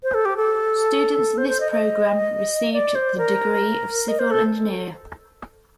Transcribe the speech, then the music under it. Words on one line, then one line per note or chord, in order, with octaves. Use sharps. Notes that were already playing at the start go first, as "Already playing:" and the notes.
Students in this program received the degree of civil engineer.
C5
A4
G4
A4
C5
C5
D#5
D#5
D5
C5
A#4
D#5
C5
A4